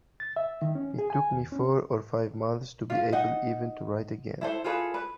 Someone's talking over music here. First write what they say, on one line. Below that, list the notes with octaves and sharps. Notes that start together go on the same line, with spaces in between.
It took me four or five months to be able even to write again.
A6
E5
D#3
C#4
G#4
G#5
D#2
C#4
F4
D#4 D#5 F#5
E4 A4 C5
F4 G#4 A4 B4
B4